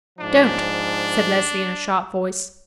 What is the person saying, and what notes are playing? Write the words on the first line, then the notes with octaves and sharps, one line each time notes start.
"Don't," said Leslie in a sharp voice.
G#2 F3 D4